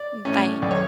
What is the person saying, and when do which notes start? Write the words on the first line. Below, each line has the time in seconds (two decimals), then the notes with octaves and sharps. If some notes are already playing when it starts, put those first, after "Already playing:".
Mm, bye.
Already playing: D5
0.25 A2 E3 A3 C#4
0.62 B1 D5
0.71 C#5